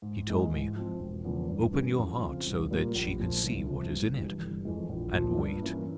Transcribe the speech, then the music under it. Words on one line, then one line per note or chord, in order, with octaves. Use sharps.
He told me: 'Open your heart so that she can see what is in it--and wait.
G#2
E3 G#3 E4
G#2
F3 C4
E1
E2 C#3 F3 A#3
G2
E3 G3 A#3 C#4
F2
C#3 F3 C4 F4
C2
A#2 G3 A#3
A#1
A#2 F3
C2
C3 F3
G1
G2 E3 G3
G1
F2 E3 G#3
A#1
A#2 F3
G2
E3 A#3 C#4 E4